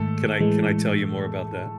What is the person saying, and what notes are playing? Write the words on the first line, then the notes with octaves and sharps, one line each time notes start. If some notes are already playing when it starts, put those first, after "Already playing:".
Can I can I tell you more about that?
Already playing: G#2 D#3 G#3 A3 A4
A2 E3 G#3